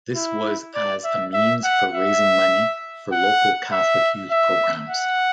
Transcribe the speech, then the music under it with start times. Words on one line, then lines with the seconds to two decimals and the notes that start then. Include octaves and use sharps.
This was as a means for raising money for local Catholic youth programs.
0.16 E4
0.75 D5
1.04 E5
1.33 E5
1.64 F#5
1.93 E5
3.12 F#5
3.72 E5
4.31 E5
4.89 F#5